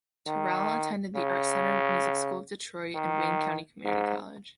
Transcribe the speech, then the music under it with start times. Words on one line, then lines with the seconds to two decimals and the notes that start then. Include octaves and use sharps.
Terrell attended the Art Center Music School of Detroit and Wayne County Community College.
0.27 D#3
1.15 C#3
2.95 D#3
3.85 G#2